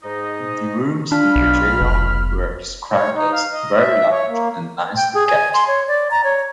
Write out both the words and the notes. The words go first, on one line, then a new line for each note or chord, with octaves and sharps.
The rooms in the jail were described as "very large and nicely kept".
G#2 D#4 D#5
D4 F4 B5 F6
B1
F1
C#5
D#4
F5
D#5
E5
C#5
A#3
G5
G#4
G#5
C6
C#5
D5
A#5
C#5